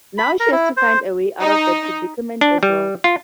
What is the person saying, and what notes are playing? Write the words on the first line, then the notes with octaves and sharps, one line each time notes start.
Now she has to find a way out of that predicament as well.
B5
A#4
E4
C5
D#4
D4
G3
F4